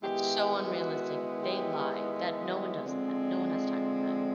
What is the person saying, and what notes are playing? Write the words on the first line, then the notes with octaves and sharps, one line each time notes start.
That's so unrealistic. They lie that no one does that. No one has time for that.
D#3 G#3 B3 E4 G4
F#4
G4
D3 F3 G#3 C4